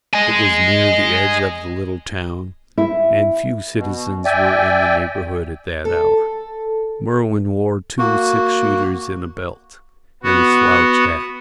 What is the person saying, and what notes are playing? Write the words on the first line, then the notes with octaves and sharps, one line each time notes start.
It was near the edge of the little town, and few citizens were in the neighbourhood at that hour. Merwin wore two six-shooters in a belt, and a slouch hat.
D#5 G#5
E4
B2
D5 E5 G5 G#5
A4
A#3 F#4
B3 F#4